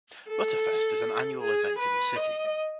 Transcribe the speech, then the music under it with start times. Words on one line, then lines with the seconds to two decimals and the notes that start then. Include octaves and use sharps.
Butterfest is an annual event in the city.
0.28 A4
1.41 G#4
1.79 B4
2.16 D#5